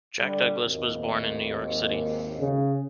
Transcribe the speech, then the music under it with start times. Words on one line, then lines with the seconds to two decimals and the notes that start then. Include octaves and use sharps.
Jack Douglas was born in New York City.
0.20 D3 G3
0.63 G#1 D#2
2.40 C#3